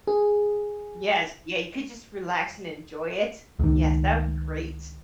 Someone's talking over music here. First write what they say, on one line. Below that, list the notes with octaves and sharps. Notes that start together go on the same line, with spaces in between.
Yes, yeah, you could just relax and enjoy it. Yes, that would be great.
G#4
C#2 D#3